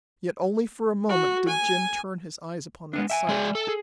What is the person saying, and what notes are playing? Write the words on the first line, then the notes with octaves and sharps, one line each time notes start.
Yet only for a moment did Jim turn his eyes upon that sight.
F#4
G#5
G#3 B3 D4
E5 G5 G#5
G#3 G#4 D5
A4
G#4